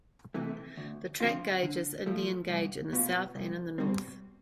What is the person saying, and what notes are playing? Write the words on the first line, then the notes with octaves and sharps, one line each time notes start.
The track gauge is Indian gauge in the south and in the north.
C3 E3 A3
D2
D3 F3 C4 F4
D3
F3 A3
C2
B2 B3 F4
C2
B2 G3 C4